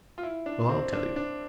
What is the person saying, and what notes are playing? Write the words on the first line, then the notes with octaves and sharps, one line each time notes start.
Well, I'll tell you.
F4
E4
D4
C4
D4
D4